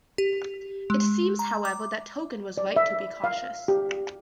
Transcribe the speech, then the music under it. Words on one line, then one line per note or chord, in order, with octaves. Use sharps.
It seems, however, that Tolkien was right to be cautious.
G4
G#3
A#5
D6
D5
E5
F5
G4